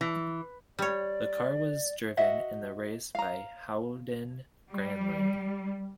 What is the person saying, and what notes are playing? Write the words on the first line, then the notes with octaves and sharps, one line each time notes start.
The car was driven in the race by Howden Ganley.
E3
G3 C#5 D5
F#4 D#5 E5 F#5
F5 A#5
G3